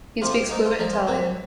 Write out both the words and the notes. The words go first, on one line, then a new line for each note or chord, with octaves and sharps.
He speaks fluent Italian.
C3 F3 F4
G#2 D#4
F4
F3 D#4
F4
D#2 C4